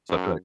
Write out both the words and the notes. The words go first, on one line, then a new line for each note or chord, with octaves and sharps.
so I feel like
F#2